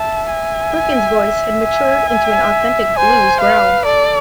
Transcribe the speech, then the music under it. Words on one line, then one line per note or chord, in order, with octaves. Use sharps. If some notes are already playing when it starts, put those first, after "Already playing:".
Perkins' voice had matured into an authentic blues growl.
Already playing: E5 A5
G#5
E5
G#5
E5
C5 G#5
B4 F5
A4 D5